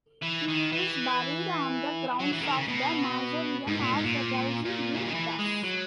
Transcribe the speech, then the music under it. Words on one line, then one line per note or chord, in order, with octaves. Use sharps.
He is buried on the grounds of the mausoleum of Ferdowsi in Tus.
E3
D#3
E3
F#3
E3
C#3
D#3
C#3
B2
G#2
A#2
G#2
A#2
A#2
C#3
D#3
E3
G#3
F#3